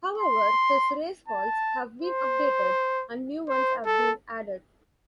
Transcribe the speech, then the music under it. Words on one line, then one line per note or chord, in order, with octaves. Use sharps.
However, his race calls have been updated, and new ones have been added.
C6
A5
C5
C5
A4